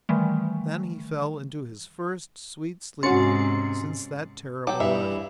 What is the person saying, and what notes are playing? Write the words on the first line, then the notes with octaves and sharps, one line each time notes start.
Then he fell into his first sweet sleep since that terrible night.
D#3 E3 G3 A3
G#2 C3 C#4 F#4 C6 A6 C#7
F#3 A4 G5 D6
G2 E3 E5